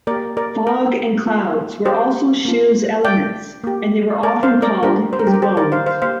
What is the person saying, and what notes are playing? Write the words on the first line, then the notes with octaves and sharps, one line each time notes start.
Fog and clouds were also Shu's elements and they were often called his bones.
A#3 G4 A#4 D5
A#4 D5
A#4
A#3 F4
G4 C5
A#3 F4
D5 G5
A#3 G4
A#4 D5
C5 F5
A#4 D5
G3 A#3 D4 G4 A#4
C5
A#4
G4
A#4
G4 C5
A#4 D5
C5 F5
C5 F5
A#3 G4 C5 F5